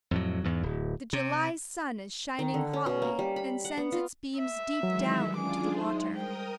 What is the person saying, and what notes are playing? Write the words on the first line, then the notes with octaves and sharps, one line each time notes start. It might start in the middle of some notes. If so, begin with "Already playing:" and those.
The July sun is shining hotly, and sends its beams deep down into the water.
F2 A2 F#3
E2 G#2
D1
C3
D#3
D3
C#4
B2
A#3
G3
B5
F#5
B3
F4
E5
D#3 E3 F#3 G#3
G#3 C#4 D4 F4 G#4 G#5 D6
G#3 D#4 C5 E5 C6
G3 A#4 C5 G5 D#6